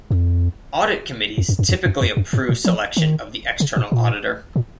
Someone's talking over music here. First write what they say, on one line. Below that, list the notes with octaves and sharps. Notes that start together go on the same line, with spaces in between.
Audit committees typically approve selection of the external auditor.
F2
F2
F#2
F#2
F2
F#2
F2
F#2
G#2
A#2
F3
D#3
C#3
A#2
A#2
A#2